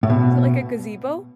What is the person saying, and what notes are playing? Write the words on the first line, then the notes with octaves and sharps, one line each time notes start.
Is it like a gazebo?
A2
B2